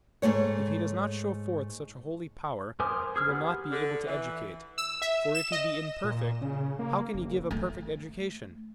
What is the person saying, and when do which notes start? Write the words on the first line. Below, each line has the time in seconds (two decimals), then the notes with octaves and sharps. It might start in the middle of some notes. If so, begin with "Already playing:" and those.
If He does not show forth such a holy power, He will not be able to educate, for if He be imperfect, how can He give a perfect education?
0.22 G#2 B2 A3 C#5
2.80 A#4 C5 G#5 D6 D#6
3.16 G#4 D#6 F6
3.28 B3 G4 F#5
3.72 D3
4.07 E3
4.78 E6
5.02 E5
5.34 E7
5.52 D#5
6.04 A#2
6.41 C#3
6.79 A#3
7.14 F#1
7.51 A3